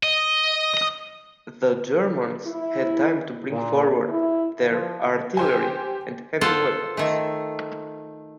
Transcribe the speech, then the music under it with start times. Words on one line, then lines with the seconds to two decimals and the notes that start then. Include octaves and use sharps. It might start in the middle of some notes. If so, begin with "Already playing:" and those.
The Germans had time to bring forward their artillery and heavy weapons.
0.03 D#5
2.47 E4
3.51 A#2
4.09 E4
4.70 F3
5.37 G4 C5 G#5
6.41 F4 A4 C5 F#5
6.97 D#3 A3